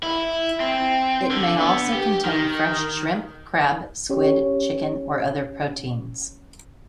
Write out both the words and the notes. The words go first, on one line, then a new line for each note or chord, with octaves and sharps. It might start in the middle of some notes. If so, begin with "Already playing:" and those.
It may also contain fresh shrimp, crab, squid, chicken or other proteins.
E4
C4
D3
B3
G4
D#3
C#4 G4 C#5